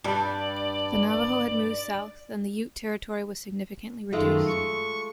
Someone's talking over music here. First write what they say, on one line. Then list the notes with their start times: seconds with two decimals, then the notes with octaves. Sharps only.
The Navajo had moved south and the Ute territory was significantly reduced.
0.04 G2 G3 D5
4.13 F#2 D#3 G#3 A3 F4
4.47 C#6